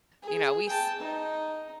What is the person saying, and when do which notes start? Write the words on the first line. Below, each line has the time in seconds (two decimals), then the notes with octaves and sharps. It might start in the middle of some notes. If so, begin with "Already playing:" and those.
you know, we s
0.22 G#4
0.69 G5 A5
1.00 D#4